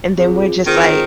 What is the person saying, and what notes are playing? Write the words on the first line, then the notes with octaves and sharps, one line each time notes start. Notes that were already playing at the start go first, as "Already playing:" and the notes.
and then we're just, like,
C4 F4 G#4
D#3 C4 F4 G#4 C5